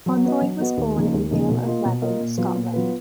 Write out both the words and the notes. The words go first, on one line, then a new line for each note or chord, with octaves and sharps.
Conroy was born in Vale of Leven, Scotland.
F#3
B3 F#4 B4 D#5
F#3
B3 F#4 B4 D#5
D#2
C#3 F3 A#3 D#4
D#2
C#3 F3 A#3 D#4
B2
A#3 F4 A#4 D#5
B2
A#3 F4 A#4 D#5
A#2
F#3 B3 F4 B4
A#2
F#3 B3 F4 B4